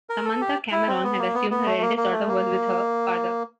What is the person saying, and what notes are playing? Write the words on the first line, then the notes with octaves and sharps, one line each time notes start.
Samantha Cameron had assumed her eldest daughter was with her father.
A#4
A4
G4
E4
C4
B3
A#3
B3
B3
A3
A#3
A#3
A3
A#3